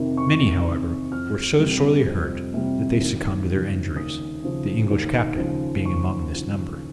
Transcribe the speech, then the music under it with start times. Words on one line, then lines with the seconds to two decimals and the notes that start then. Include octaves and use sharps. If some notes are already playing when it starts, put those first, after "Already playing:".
Many, however, were so sorely hurt that they succumbed to their injuries, the English captain being among this number.
Already playing: F2 C3 D#3
0.16 F2 C#6
0.64 C3 D#3
1.11 F2 F6
1.59 C3 G3
2.06 F2
2.54 C3 G3
3.01 D#2
3.49 C#3 F3
3.96 D#2 D#6
4.44 C#3 F3
4.91 D#2
5.38 C#3 F3
5.85 D#2 C#6
6.33 C#3 F3